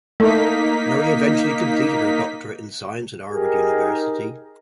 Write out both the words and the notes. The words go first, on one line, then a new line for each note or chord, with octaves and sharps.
Murray eventually completed her doctorate in science at Harvard University.
A3 A#3 D#4 B6
D#4 G4 G#4 A#4